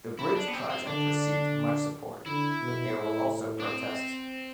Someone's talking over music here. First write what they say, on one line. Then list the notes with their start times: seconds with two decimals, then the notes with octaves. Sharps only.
The bridge project received much support, but there were also protests.
0.19 E4
0.35 D4
0.48 B3
0.54 C4
0.70 C4
0.87 D3 D4
2.26 D3 E4
2.61 B2
2.95 A2
3.60 D4
3.64 C4